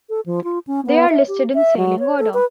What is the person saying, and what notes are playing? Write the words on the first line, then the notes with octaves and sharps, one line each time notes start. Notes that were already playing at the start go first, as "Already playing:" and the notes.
They are listed in sailing order.
A4
F3
F4
C#4
B3
E5
G4
E5
F#3
C#5
A4
B4